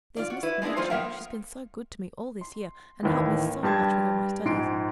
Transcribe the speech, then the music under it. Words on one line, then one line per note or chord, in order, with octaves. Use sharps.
There's Miss Mitchell ... she's been so good to me all this year and helped me so much with my studies.
F4 D5
F#4
E4 B4
G#3 B3 D4 E4 G#4
F3 G3 A3 F4 C5
A#3 B3 A#4 E5 F5 G5
C6
D#2 A2 E3
G2 G3 G4 A5 C6 G#6
A#1 G#2 C6 D7